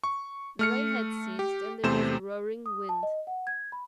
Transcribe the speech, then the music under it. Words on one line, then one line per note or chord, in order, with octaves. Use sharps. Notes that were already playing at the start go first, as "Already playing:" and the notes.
The rain had ceased and there was a roaring wind.
C#6
A3 F6 C#7
G4
E2 C3 A3 C5 E7
D#6
A5
D#5
F#5
G#6
B5